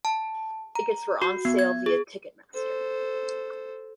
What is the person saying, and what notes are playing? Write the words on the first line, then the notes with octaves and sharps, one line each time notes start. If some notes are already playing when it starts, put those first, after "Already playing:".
Tickets were on sale via Ticketmaster.
A5
A#5
F#4
B3
G#6
G#4
A4 C5